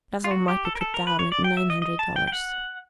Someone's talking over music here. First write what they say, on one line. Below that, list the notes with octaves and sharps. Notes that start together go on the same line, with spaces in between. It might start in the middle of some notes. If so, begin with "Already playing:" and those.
Bazil might be put down at nine hundred dollars.
F4
F#4
G4
A4
A#4
A4
A#4
B4
C#5
D5
G5
E5
D#5
D#5
A5
G5
G5
F#5